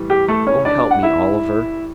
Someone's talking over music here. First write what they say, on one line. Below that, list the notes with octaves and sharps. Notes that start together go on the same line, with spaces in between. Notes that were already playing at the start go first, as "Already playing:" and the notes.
"Oh help me, Oliver."
Already playing: A2 E3 G3
G4
A3 A4
C#4 C#5
D4 D5
F#5
E4 E5